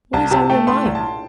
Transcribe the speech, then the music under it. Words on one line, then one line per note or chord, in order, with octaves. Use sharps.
What is on your mind?
C2 A5
C3 A5
A3 G5
A3 C6
C2
A5